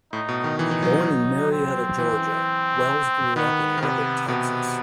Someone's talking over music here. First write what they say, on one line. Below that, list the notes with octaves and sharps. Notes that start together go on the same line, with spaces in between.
Born in Marietta, Georgia, Wells grew up in Lubbock, Texas.
A2 D#4
B2
D#3
E3 D#4
E3
F#3
C4
E3
D#3 B3
D#3
C3 B3
B2 B3